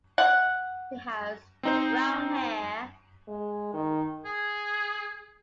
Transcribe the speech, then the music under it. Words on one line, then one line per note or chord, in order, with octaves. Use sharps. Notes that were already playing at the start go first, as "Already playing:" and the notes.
He has brown hair.
F#5
C4 D#4 C5
G#3
D#3
G#4